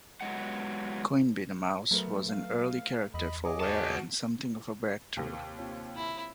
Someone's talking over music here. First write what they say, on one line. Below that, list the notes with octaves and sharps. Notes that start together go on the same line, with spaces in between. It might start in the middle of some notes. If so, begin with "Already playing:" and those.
Quimby the Mouse was an early character for Ware and something of a breakthrough.
F#3 G#3 B3 F#5
F#3 A3 B3 A#4
F5
E2 D#5 B5
G#4 C#5 D#5 D6
F#4 A5
D#2 C3 A#3 C4
C4 F4 C#5
E4